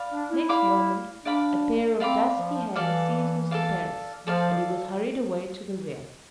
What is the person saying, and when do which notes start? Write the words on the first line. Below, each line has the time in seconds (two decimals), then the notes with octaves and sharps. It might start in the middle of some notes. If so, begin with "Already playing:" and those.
Next moment, a pair of dusky hands seized Mr. Parris, and he was hurried away to the rear.
Already playing: D5 F5 B5 D6
0.12 D4
0.30 E4
0.49 D5 F5 B5 D6
1.24 D4 D5 F5 B5 D6
2.00 C4 D5 F5 B5 D6
2.37 F3
2.75 E3 A4 D5 F5
3.51 A4 D5 F5
4.26 F3 A4 D5 F5